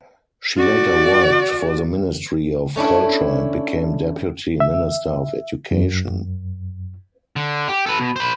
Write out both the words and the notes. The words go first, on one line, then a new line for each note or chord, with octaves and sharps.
She later worked for the Ministry of Culture and became Deputy Minister of Education.
F#4 D5
A3 C#4 D4 E4
E5
F#2
D3
G4
A4 B4
B2
C5 B5